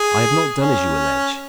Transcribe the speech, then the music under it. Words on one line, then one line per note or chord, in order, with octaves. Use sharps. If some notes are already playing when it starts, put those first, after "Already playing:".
I have not done as you allege.
Already playing: G#4
C#4